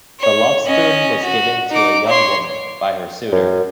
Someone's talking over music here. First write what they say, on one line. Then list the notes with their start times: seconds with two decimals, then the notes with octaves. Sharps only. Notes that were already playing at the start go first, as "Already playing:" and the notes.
The lovespoon was given to a young woman by her suitor.
0.19 C#5
0.66 C#4 D#5
1.23 F#4
1.71 D#4 D6
2.07 C#5 C6
3.32 F#2